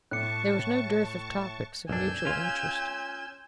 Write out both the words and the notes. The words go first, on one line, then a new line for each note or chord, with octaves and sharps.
There was no dearth of topics of mutual interest.
A2 A5 C#6 D6 F#6 C#7
B1 F#2 D4 G#5 E6 G6
C#4 F4